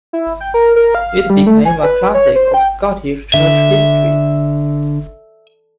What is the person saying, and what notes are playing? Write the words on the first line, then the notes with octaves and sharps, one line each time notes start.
It became a classic of Scottish Church History.
E4
G5
A#4
A#4
F5
G3
A3
G#5
B4
C#5
C5
G5
D3 E5